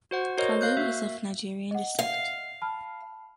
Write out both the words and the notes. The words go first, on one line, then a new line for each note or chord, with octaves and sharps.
Kalu is of Nigerian descent.
F#4 C5 F#5
F#4 A#4 C5 C#5 D#5
F5 F#6 G6
A#3 F#4 E5
D#5 F#5
F5
A5 B5 F6